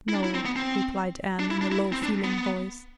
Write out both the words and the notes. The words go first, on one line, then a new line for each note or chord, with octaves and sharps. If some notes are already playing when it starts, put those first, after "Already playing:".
"No," replied Anne, in a low, feeling voice.
E4
D4
E4
C4
B3
C4
D4
E4
D4
E4
C4
D4
B3